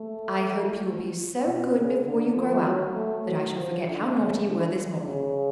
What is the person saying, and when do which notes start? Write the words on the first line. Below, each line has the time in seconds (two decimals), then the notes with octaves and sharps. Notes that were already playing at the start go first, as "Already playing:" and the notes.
"I hope you will be so good before you grow up that I shall forget how naughty you were this morning."
Already playing: A3
1.46 B2
1.76 C#3
2.06 D3
2.36 F3
2.65 F#3
2.95 A3
3.26 F#3
3.55 F3
3.86 D3
4.15 C#3
4.45 D3
5.04 C#3